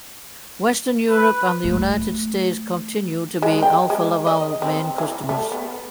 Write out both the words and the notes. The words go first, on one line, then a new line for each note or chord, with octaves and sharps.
Western Europe and the United States continue to be Alfa Laval main customers.
B4
A3 F4
G#3
G5
G#3
D#5
C4
E3
A3
B3